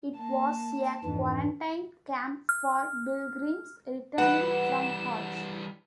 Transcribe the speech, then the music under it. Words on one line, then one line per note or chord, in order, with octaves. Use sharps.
It was a quarantine camp for Pilgrims returning from Hajj.
A#3 A5
F2 G#2 E3 D4
F6
E3 G3 B4 F#5 E7